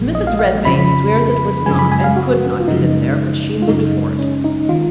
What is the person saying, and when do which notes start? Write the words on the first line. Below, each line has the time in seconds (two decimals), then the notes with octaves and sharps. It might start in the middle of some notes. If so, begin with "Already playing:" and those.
Mrs. Redmain swears it was not, and could not have been, there when she looked for it.
Already playing: A#1 A#2 F3 G#3
0.15 D#5
0.27 F5
0.39 F5
0.65 F2 C#3 F3 B5
1.66 F#2 C#3 F3 G#3 G#5
1.79 B5
1.92 G#5
2.04 F5
2.16 F#4
2.60 F4
2.68 F#2 C#3 F3 G#3 D#4
3.62 F4
3.68 F#2 C#3 G#3 D#4
4.19 C#4
4.44 D#4
4.69 D#3 F4